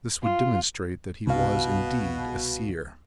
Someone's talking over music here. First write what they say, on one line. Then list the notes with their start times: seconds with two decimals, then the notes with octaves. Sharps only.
This would demonstrate that he was indeed a seer.
0.23 F4
1.27 C2 B2 F5